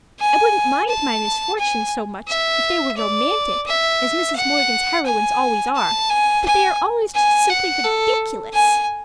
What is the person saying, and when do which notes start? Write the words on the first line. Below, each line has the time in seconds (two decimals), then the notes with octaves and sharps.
I wouldn't mind my misfortunes so much if they were romantic, as Mrs. Morgan's heroines' always are, but they are always just simply ridiculous.
0.20 G#5
0.89 A5
1.58 G#5
2.28 E5
2.97 D5
3.67 E5
4.36 F#5
5.05 G#5
5.76 A5
6.10 G#5
6.45 G#5
7.15 G#5
7.50 F#5
7.84 A4
8.54 G#5